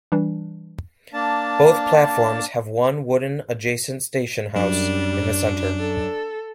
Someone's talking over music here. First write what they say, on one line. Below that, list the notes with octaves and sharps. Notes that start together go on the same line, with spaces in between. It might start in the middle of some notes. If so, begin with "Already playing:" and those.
Both platforms have one wooden adjacent station house in the center.
E3 G3 D4
A#3 D4 A5
F#2 G3 D4
A4